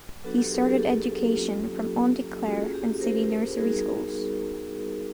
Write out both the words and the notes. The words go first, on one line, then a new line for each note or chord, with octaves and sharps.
He started education from Auntie Clare and City Nursery schools.
F#3 B3 D4 F#4 A4 B4
G4 A4
G#4 A#4
G4 A4
G4 A4
F#3 A#3 C#4 F4
A#3 C#4 F4 F#4 G#4
G4
A#4 C5
A#4 C5
G3 B3 D#4 F#4 G#4 A#4